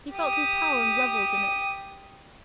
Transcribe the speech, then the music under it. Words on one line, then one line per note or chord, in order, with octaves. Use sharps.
He felt his power and revelled in it.
G4 D#6